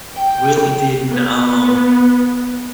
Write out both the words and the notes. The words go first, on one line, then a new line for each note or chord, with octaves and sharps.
really didn't, um,
G5
B3